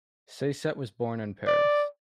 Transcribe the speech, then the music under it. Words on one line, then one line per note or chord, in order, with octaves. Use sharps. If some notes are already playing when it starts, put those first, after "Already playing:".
Saiset was born in Paris.
D5